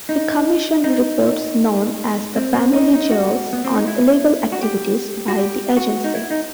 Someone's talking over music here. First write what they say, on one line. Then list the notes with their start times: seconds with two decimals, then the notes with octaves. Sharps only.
He commissioned reports-known as the "Family Jewels"-on illegal activities by the Agency.
0.09 D#4
0.84 D#4
2.36 C4
2.54 C4
2.73 D#4
2.93 D#4
3.11 F#4
3.53 B3
3.64 C4
3.75 D#4
3.88 E4
4.52 F#4
4.63 G4
5.28 F#4
5.39 G4
5.77 F#4
6.04 D#4
6.15 E4
6.30 D#4